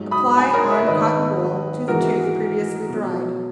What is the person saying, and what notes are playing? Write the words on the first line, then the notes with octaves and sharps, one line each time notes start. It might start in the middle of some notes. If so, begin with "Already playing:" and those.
Apply on cotton wool, to the tooth, previously dried.
Already playing: G#2 F#3
B5 D#6
G#5 B5
A#4 C#5
C#5 E5
G#2 D#3 G#3 B4 D#5
G#2 E3 G#3 F#4 A#4
B2 F#3